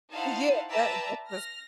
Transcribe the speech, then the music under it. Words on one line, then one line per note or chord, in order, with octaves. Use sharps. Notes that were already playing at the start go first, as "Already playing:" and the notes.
Yeah, that that's just
D#4 E4 C5 F5 F#5 A5
B4 D5 E5 G5 A5 A#5
F6 A#6